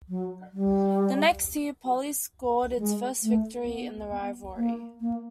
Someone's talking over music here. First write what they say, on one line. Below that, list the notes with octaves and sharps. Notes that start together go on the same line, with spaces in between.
The next year Poly scored its first victory in the rivalry.
F#3
G3
G#3
A3
B3
B3
A#3
A#3